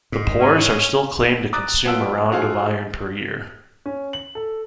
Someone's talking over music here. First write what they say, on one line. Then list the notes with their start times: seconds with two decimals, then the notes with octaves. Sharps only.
The pours are still claimed to consume around of iron per year.
0.12 G#2
0.40 C#4
1.53 A#5 D6 D#6 F#6 A6
1.84 F#3 B3 F4 A5 E6 D7
2.32 F4 F#4 G#4 A4 C5 F5
3.86 C#4
4.13 F#7
4.35 A4